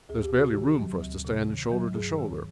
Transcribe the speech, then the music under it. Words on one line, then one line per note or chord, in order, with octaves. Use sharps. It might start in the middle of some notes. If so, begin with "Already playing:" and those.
There was barely room for us to stand, shoulder to shoulder.
D2 G#4
G4
C3 F#4
D#3 G4
F#3
D2
C3
D#3
F#3
G2 G#4
D#3